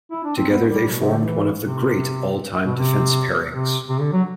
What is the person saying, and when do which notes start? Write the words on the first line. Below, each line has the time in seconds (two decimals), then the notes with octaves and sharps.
Together they formed one of the great all-time defence pairings.
0.11 E4
0.24 D4
0.36 C4
0.49 B3
0.68 G3
0.90 B2
1.02 C3
1.13 D3
1.25 E3
1.61 C3
2.65 B2
2.75 C3
3.51 C3
3.88 C3
4.00 D3
4.13 F#3